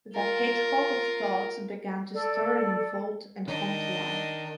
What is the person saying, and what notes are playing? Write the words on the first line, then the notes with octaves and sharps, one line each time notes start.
That hedgehog of thoughts began to stir and unfold and come to life.
F4 A#4
A4 D5
D#3 D4 D#5